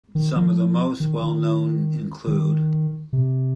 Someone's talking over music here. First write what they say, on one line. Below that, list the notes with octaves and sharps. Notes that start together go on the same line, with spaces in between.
Some of the most well known include.
D#3
F3
D#3
D#3
D#3
C3